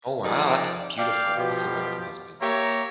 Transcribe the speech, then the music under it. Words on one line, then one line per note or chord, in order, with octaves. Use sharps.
Oh, wow, that's beautiful, that's a wonderful husband.
F3 D#4 G4 G#4 A#4 D5
D5 F5 G5
B2 F3 G4
A#3 G4 C#5 E5 A#5